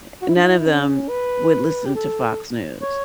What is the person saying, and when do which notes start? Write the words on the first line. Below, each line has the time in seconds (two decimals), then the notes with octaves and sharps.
eh, none of them would listen to Fox News,
0.22 F#4
0.29 E4
0.36 D4
0.43 E4
0.66 C#4
1.09 B4
1.86 G4
1.95 A4
2.82 C#5